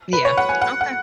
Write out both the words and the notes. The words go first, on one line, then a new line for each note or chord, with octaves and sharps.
yeah. Okay.
B4
C#5
F#5
G#5
F#5
F#5